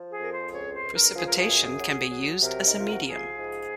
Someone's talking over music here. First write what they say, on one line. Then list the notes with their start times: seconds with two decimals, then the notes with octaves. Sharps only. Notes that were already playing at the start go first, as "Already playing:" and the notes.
Precipitation can be used as a medium.
Already playing: F3
0.09 G#4
0.20 F2 A#4
0.30 C5
0.51 C#2 C#5
0.73 C5
0.83 C#2
0.94 A#4
1.15 F3 G#4
1.26 A#4
1.37 G#4
1.47 F#2
1.78 F#3
2.10 F#3
2.42 C3 A#4
2.67 D#4
2.74 C3
2.79 F4
2.93 F#4
3.06 F3 G#4
3.37 G#2